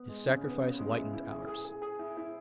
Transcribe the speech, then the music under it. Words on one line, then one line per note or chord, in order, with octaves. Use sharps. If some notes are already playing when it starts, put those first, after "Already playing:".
His sacrifice lightened ours.
Already playing: B3
G#3
C#3
B3
C#3
G#3
E4
E4
G#4
G#4
G#4
G#4
E4
E4